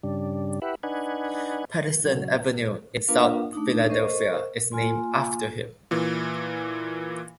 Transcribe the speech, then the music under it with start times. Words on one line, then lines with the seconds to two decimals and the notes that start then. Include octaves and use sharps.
Pattison Avenue in South Philadelphia is named after him.
0.03 G2 C#3 G3 D4
0.62 E4 G4 B4 E5 F#5
0.83 D4 D#4 B4 F#5 G#5
2.05 C#3 F#3
3.08 A#3 D4 F4 A#4 B4 F5
3.53 A3 D4 D#4
3.89 A#4 C5 D#5 C#6
4.72 A#3 F4 G#5 C6
5.91 A#2 E3